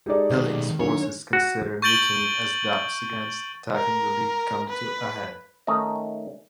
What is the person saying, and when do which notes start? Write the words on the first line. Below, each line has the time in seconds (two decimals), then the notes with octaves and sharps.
Eiling's forces consider mutiny as doubts against attacking the League come to a head.
0.06 G#3 D#4 G4 A4 D5
0.30 B2 D#3
0.80 F#2 D3 D#3 C#5
1.33 F#4
1.82 C#6 G6 A6 D7 F#7 G7
3.76 A#4
4.70 B4
5.67 D#3 A3 C#4 D#4 D#5